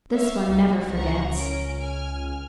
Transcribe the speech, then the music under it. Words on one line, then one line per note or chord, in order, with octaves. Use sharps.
"This one never forgets!"
C#5 E5 F5
C2 D#4 F#4
C#2 F#5 A#5 C#6
C#4 A#4 D7
G#5 F6